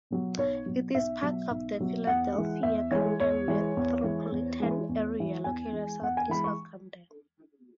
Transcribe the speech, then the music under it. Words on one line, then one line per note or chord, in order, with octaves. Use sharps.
It is part of the Philadelphia-Camden metropolitan area, located southeast of Camden.
B2 F#3
B1 C#5
B2 F#3
B1 E5
B2 F#3
B1
B2 F#3
E2 F#5
E3 G#3
E2 E5
E3 G#3 C#5
E2 C#5
E3 G#3
E2
E3 G#3
E2
E3 G#3
E2
E3 G#3
E2 G#5
E3 G#3
E2 F#5
G#5
E3 G#3 B5
C#6